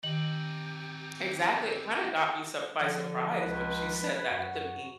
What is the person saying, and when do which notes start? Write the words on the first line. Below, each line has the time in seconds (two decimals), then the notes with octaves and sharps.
Exactly. It kinda got me surp by surprise when she said that to me.
0.04 D#3 C4 D#4 G4 F#7
2.81 D3 F3
3.39 C#2 B4
4.31 F#2 F#4